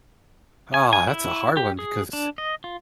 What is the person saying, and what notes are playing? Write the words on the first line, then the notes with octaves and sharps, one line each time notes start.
Ah, that's a hard one because
G#5
G#5
E4
G4
G#4
D4
D#5
F4